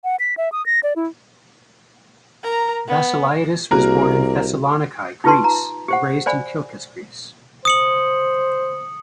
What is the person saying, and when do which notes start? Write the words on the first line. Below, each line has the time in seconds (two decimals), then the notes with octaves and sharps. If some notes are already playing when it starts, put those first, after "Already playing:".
Vasileiadis was born in Thessaloniki, Greece, and raised in Kilkis, Greece.
0.04 F#5
0.20 B6
0.37 E5
0.52 D#6
0.66 A#6
0.83 D5
0.96 E4
2.43 A#4 A#5
2.88 B3
3.71 C2 A#3 F#4 G#4 A#4
5.24 D#4 F4 G4 B4 A5 C6
5.44 A#5
5.88 G4 C5 F#5
6.26 C5 D5 G#5 B5
7.65 C5 D#6 C#7 F#7